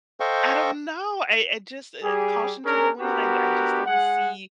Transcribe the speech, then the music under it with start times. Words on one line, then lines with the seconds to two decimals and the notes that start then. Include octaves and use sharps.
I don't know, I I just, eh, caution to the wind, I I just don't see
0.20 A4 C5 D#5 F5 G5 C#6
2.02 G3 G4 G#4
2.64 C#4 D4 G#4 A#4
3.00 B3 D4 F#4 G4 A#4
3.86 G#3 G#4 F#5